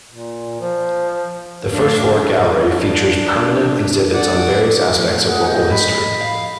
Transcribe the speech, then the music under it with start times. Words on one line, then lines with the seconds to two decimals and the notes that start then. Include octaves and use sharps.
The first floor gallery features permanent exhibits on various aspects of local history.
0.09 A#2
0.60 F3
1.71 F#2 A2 F3 D4 F5
2.05 G2 C#3 G3
2.73 D4
4.14 D5 F#5
4.98 A2 F3
5.28 G#4 F#5
5.48 D#5 G5
5.71 B5
6.21 F5